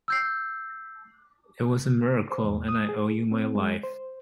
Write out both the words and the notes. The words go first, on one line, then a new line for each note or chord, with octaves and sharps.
It was a miracle, and I owe you my life.
E6 G6 C7
C5
E2
D#6
G#4
C4
G#3
C5